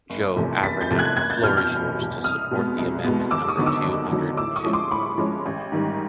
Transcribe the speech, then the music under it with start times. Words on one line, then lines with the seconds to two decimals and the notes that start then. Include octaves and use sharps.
Joël Aviragnet, the floor is yours, to support the amendment number two hundred and two.
0.10 F#1
0.36 E2 C3 F3 A3
0.63 F#1 A6 B6
0.81 G6 A6
0.90 E2 C3 F3 A3
0.99 F#6 G#6
1.16 F#1 F#6 G#6
1.30 G6 A6
1.43 E2 B2 F6 G6
1.57 F6 G6
1.70 F#1
1.98 E2 B2
2.24 C2 D#6 F6
2.51 B2 G#3 B3
2.78 C2
3.04 B2 G#3 B3
3.31 D#2 D6 E6
3.48 C#6 D#6
3.58 D3 F#3 B3 D#4
3.66 D6 E6
3.84 D#2
4.11 D3 F#3 B3 D#4
4.37 A2 D6 E6
4.56 C#6 D#6
4.65 F3 G#3 C#4
4.73 C6 D6
4.91 A2 B5 C#6
5.18 F3 G#3 C#4
5.46 A1
5.72 G#2 D#3 G3